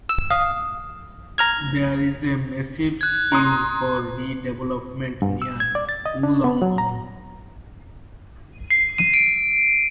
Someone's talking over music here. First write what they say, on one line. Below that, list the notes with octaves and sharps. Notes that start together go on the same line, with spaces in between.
There is a massive scheme for redevelopment near Wollongong.
E6
F5 D#6
A#5 F6 G#6
F#6 G#6
A#5 C6 D#6
G2
E6
G#6
D5
A6
D#5
D4
B3
F#3
A#5
C7
D#7
D7